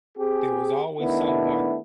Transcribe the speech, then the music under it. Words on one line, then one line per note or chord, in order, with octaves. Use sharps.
There was always someone
C4 G4 G#4
D#3 A3 B3 D4 E4